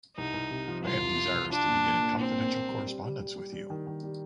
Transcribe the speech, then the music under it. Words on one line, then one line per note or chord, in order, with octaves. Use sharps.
I am desirous to begin a confidential correspondence with you.
C2 D#4
C2
C3
F3
C2 F4
C3
F3
C2
D4 F4
A#2
A#3
A#3
A#2 C4
A#3
A#3
G3
G3
G3
G3
G3
G3
D#3
D#3
G3